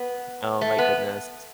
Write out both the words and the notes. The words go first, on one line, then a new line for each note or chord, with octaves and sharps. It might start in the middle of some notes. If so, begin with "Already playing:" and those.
Oh my goodness.
Already playing: B3
A3
B3